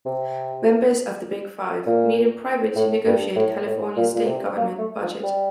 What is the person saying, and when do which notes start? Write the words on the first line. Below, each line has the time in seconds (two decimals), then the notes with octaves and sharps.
Members of the Big Five meet in private to negotiate California's state government budget.
0.06 C3
1.86 A#2
2.76 A2
3.06 G2
3.36 A2
3.66 A2
3.97 A#2
4.15 A#2
4.27 C3
4.57 A#3
4.78 A3
5.01 F3
5.23 G3